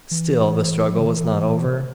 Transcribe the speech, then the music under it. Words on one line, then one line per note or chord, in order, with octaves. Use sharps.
Still the struggle was not over.
E3
F3
D3
E3
C3